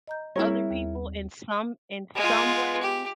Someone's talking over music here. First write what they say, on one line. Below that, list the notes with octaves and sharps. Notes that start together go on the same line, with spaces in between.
other people in some in some ways
D#5 A#5 G6
G3 C4 E4 G#4 A#4 C#5
D#2
G#3 F4
G4